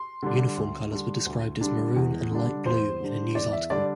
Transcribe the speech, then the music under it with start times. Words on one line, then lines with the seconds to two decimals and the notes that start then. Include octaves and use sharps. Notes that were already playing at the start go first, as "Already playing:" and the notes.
Uniform colors were described as "maroon and light blue" in a news article.
Already playing: C6
0.22 D3 G3 D4
0.57 D2
0.92 D3 G3 D4
1.26 D2
1.61 D3 G3 D4
1.96 E2
2.31 D3 G3 D4
2.66 E2 C5
3.00 D3 G3 D4
3.35 E2 D5
3.53 E5
3.70 D3 G3 D4 D5